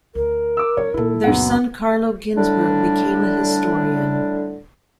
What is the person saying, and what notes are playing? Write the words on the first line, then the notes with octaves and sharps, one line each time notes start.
Their son Carlo Ginzburg became a historian.
D2 A#4
D6 E6
F#2 F#3 C#5
A#2 D#3 E4 A4
C#2 F#2 A#2 B3 F#5
A2 D3 G3 D4